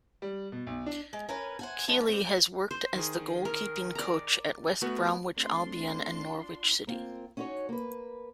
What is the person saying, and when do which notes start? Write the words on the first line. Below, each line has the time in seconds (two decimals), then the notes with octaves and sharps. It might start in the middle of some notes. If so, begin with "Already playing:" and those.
Kiely has worked as the goalkeeping coach at West Bromwich Albion and Norwich City.
0.22 G3
0.52 B2
0.67 B1
0.86 D4
1.13 G#3
1.29 C#4 A#4 B4 G#5
1.59 C5 F#5 G#5
1.88 D#3 F3 G#3
2.08 G3 C4
2.71 C5
2.95 D#3 G#4
3.45 A#4
3.95 D5 A#5
4.82 A3 B3 F#4
5.37 A3 C4 D4 F4 C6
6.87 A#3 C4 F4
7.37 C#4 D#4 F#4 C5 C#5
7.69 A#3 B4